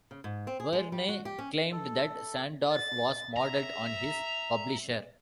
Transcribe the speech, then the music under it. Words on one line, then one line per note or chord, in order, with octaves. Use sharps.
Verne claimed that Sandorf was modeled on his publisher.
C#3
G#2
C4
G#4
G#3
G3
F#4
G4
C#4
A4
A6
E5 A#5